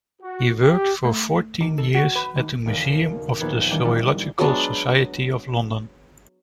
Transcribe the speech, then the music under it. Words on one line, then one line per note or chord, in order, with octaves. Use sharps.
He worked for fourteen years at the museum of the Zoological Society of London.
F#4
G4
A3
D#3
A4
F#4
B4
D#3
E1 D#2 C#3
A#1 D#2 B3 B4 G#6
D#3 E3 G3 C#4 D4
G3 A#3 E4 F#4 D5
F#3 G#3 B3 D4